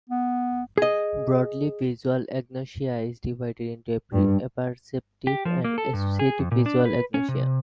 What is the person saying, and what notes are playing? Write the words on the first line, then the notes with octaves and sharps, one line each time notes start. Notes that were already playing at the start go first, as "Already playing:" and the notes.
Broadly, visual agnosia is divided into apperceptive and associative visual agnosia.
B3
G#4 D#5
G2
G4
F3
A#3
A4
G2
G#4
F2
A#2
D4
B4
C#4
C3